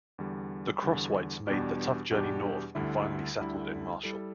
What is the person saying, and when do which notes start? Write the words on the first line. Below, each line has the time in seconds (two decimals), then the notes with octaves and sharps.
The Crosswhites made the tough journey north and finally settled in Marshall.
0.18 E2 D3 G3
0.82 E2 D3 G3
1.47 E2 B2 G3 D4 G4
2.11 E2 B2 G3 D4 G4
2.75 D2 D3 G3 E4
3.39 D2 D3 G3 E4
4.03 G3 E4 A4